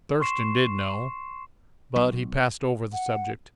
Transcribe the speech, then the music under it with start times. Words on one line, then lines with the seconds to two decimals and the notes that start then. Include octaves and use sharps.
Thurston did know, but he passed over the subject.
0.20 C6 C#6 C7 E7
1.96 B1
2.93 F#5